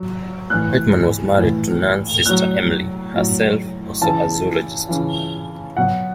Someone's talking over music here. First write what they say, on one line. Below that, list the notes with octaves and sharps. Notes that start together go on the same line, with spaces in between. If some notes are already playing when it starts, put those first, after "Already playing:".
Whitman was married to Nunn's sister Emily, herself also a zoologist.
Already playing: F#3
A2 E3 F#6
A2 E3
A2 F#3 F#6
A2 F#3
C#3 E3 A5
C#3 E3
B2 F#3 F#5